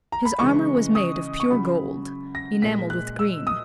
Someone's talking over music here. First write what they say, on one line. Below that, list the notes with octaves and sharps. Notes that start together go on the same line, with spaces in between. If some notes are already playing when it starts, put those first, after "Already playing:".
His Armour was made of pure Gold, enamell'd with Green.
A#5
B5
C#3 E3 G#3 C#6
D#6
C#6
C#3 F#3 B5
A#6
A#2 G#3 B6
F#6
E6
D#6